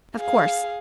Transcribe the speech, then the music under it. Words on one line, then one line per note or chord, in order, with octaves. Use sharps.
"Of course."
G#4 F5